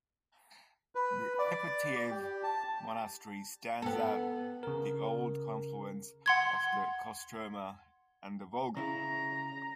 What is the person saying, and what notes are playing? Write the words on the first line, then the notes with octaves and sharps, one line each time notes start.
The Ipatiev Monastery stands at the old confluence of the Kostroma and the Volga.
B4
D5
G4
A5
B3 A4
C#3 A#4
F#5 C6 G#6
C#3 E4 A#5